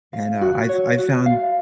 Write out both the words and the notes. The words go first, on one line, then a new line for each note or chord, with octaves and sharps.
and, uh, I've I've found,
F5
F#4
C#5
F#4
F5